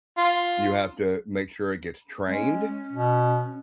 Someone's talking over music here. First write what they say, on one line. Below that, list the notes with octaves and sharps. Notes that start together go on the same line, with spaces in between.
you have to make sure it gets trained,
F4
G#3 C#4
B2